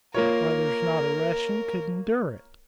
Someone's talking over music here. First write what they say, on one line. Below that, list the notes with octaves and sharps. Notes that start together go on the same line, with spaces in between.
"Why, there's not a Russian could endure it!"
A#3 F4 A#4 C#5